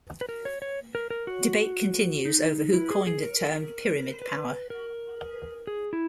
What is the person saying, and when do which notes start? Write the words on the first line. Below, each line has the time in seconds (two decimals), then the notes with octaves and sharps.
Debate continues over who coined the term "pyramid power".
0.21 B4
0.29 A#4
0.45 C#5
0.62 C#5
0.95 A#4
1.10 A#4
1.27 F#4
2.25 D#4
2.74 E4
2.90 G#4
3.07 G#4
3.23 A#4
4.22 B4
4.70 A#4
5.67 G#4
5.93 E4